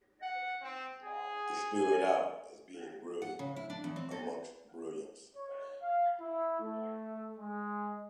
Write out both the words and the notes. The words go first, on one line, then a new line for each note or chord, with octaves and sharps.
It stood out as being brilliant amongst brilliance.
F#5
C4
G#4
G#5
F#5
C#3
E4
D4
E2
C4
A4
C#5
F5
E4
A3
G#3